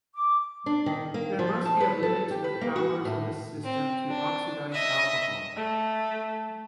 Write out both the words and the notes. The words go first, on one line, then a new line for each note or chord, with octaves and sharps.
There must be a limit to the powers of the system to oxidize alcohol.
D6
D4
D#3
A#3
F3
A5
B4
A4
G4
B4
A#3
F#4
A2
C4
D4
D#5 E5
A3